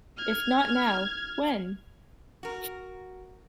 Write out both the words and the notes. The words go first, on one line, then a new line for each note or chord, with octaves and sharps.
If Not Now, When?
F6 G#6
F#4 A#4